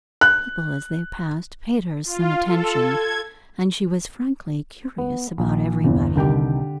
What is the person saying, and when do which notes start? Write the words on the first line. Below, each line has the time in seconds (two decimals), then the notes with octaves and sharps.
People, as they passed, paid her some attention, and she was frankly curious about everybody.
0.21 F#6
2.05 F4
2.46 A4
2.76 G#6
4.98 B3
5.38 A#1
5.84 G1 E2
6.16 C2 D3 D#3 G4 G5